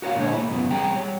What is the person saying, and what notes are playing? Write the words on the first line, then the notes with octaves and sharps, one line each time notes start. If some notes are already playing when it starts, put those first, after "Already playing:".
it would help.
F#4 A#4 C#5 F5
A#2 D3 G#3 C#5
A#3 E4
F#2 C#3 B3
G3 C4 G#4 G5 A#5
G3 C#5